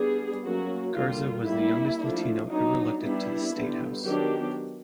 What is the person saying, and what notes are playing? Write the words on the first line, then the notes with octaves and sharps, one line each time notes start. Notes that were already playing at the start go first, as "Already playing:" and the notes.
Garza was the youngest Latino ever elected to the state house.
Already playing: G3 B3 D4 G#4
F#3 A#3 C#4 F#4
D3 G3 A#3 F4
G3 A#3 D4 E4
F3 A3 D4
F#3 B3 D4 D#4
G3 B3 D4 E4
D3 G3 B3
D#3 F#3 B3 D4 G4